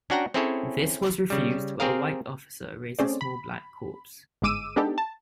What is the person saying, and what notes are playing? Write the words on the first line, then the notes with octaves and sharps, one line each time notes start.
This was refused but a white officer raised a small black corps.
C#4 D4 F#4 F#5 G5 A#5
C4 C#4 E4 G#4 A4 C#5
C#3 G3
C4 G4 G#4 A#4 F5
A3 C4 C#4 G#4 C5 D5
B5
G1 G#2 G#3 D6 E6 D#7
G#3 B3 D4 D#4 G4 A4
A5